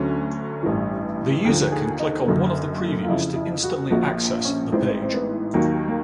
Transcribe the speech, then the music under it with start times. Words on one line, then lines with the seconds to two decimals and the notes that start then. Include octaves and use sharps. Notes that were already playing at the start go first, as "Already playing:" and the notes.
The user can click on one of the previews to instantly access the page.
Already playing: D2 D3 F#3 C#4
0.63 A1 G2 E3
1.45 D#2 D3 F3
1.72 G#4
2.00 D#4
2.27 F#1 F#2 D3 F#3
3.04 F4
3.08 F2 C#3 F3 E4
3.36 E4
3.63 F#4
3.90 A#1 A#2 F3 F#4
4.45 C#4
4.72 A1 G#2 E3 C4
5.02 C4
5.14 B3
5.54 D#2 D#3 F#3 A#3
5.88 A#3